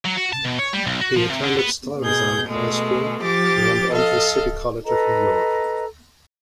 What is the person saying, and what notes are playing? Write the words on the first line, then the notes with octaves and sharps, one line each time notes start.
He attended Stuyvesant High School and went on to City College of New York.
F#3
F#4
A5
B2
C#5
G3
B1
F#4
F3
C3
D3
B3
B2 G#4 G6
B2 G#3 A3
F3 G4 D6 A6
A4 D#5 F5
A4 B4 D#5 A#5